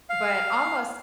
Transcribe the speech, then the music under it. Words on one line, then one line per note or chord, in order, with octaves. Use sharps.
But almost
F5